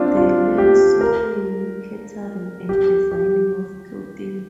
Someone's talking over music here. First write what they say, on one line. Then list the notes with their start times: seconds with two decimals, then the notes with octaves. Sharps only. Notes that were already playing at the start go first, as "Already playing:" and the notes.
They learn sewing, catering and designing of clothing.
Already playing: C4 D4 F4
0.17 F4
0.58 G4
1.01 A#4
2.69 G4
3.11 G4